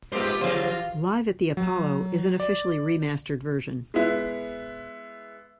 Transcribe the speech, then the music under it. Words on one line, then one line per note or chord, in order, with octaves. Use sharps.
"Live at the Apollo" is an officially remastered version.
G#3 A3 B3 D#4 F4 G4 C5
D3 E3 F#3 F4 G#4 C5
F#3
D5
G#3 B3 E4